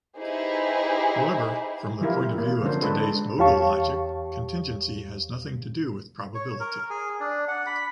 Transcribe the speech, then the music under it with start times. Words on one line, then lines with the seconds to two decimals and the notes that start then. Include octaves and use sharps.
However, from the point of view of today's modal logic, contingency has nothing to do with probability.
0.17 D#4 E4 G4 G#4 B4 C5
2.01 E3 F3 G3 E4 F4 A#4
2.38 A#3
2.63 D3 F3 C#4 D4 C5
2.82 G#3 D4 A4 B4
3.38 E2 G4 C#5 F5 A5 C#6
6.35 C#5
6.60 A#4
6.90 G#4
7.20 D4
7.48 F#5
7.66 B5